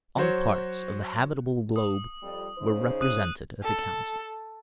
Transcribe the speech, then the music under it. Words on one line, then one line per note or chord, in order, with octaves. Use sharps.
All parts of the habitable globe were represented at the Council.
F#3 F#4 C5 C#5
D#6
F2 G3
C#3 D#4 C5
D#6 F#6 D#7
A4